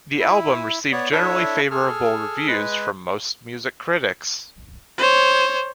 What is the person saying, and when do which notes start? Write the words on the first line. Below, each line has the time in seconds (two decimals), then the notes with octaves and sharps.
The album received generally favorable reviews from most music critics.
0.20 E4
0.92 B3 C#5 D5
1.12 D4 E4 A4 C#5 E5
1.71 G#4 A4 F6
2.48 G#3 B4
4.98 C5 C#5